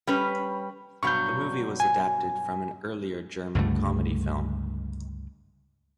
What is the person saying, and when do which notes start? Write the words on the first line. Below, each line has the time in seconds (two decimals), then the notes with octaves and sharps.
The movie was adapted from an earlier German comedy film.
0.07 G3 C#4 B4
1.03 G2 B2 F#3 C#6 G6
1.80 G#5
3.55 C#2 G2 D3 A3